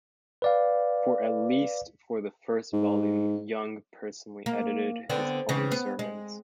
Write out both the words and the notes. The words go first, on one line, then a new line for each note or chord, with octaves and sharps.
For at least for the first volume, Young personally edited his own sermons.
B4 D5 F5
G#2
A#3
D3 B3 C4
C#3 E3 C4
B3
G#3